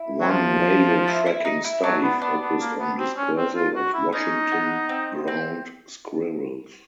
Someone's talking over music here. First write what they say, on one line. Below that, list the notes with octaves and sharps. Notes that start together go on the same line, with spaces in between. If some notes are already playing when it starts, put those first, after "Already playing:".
One radiotracking study focused on dispersal of Washington ground squirrels.
Already playing: E4
F#3
F3
E4
E4
D#4
E4
F#3 D4
B3
B3 D4
B3
A#3
B3
C4
C#4
C4
F4
F#4
E4
C#4 D#4
B3
C4
C4